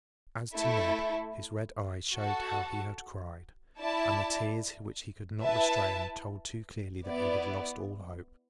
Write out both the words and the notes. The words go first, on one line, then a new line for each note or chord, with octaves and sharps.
As to Neb, his red eyes showed how he had cried, and the tears which he could not restrain told too clearly that he had lost all hope.
A3 E4 A4 E5
F#4 A4 F#5 A5
E4 D5 A5
E4 B4 E5 A5
B3 E4 D5